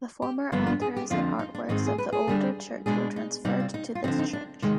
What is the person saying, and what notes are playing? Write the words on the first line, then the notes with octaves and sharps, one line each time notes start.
The former altars and artworks of the older church were transferred to this church.
G4
G2 D3 F3 B3 D4 F4
F4
G#4
G4
F2 D3 F3 C4 F4
D#4
D4
G#2 D#3 G#3 C4 D#4
G#4
B4
G#4
D3 G3 B3 D4
B2 G#3 D4 G#4
D#4
C3 G3 C4 D#4
F4
D#4
F4
D3 F3 C4 D#4
D#4
D4
C3 D#3 G#3 D#4